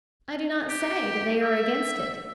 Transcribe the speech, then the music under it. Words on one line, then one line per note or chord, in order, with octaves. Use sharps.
I do not say that they are against it.
G4
E5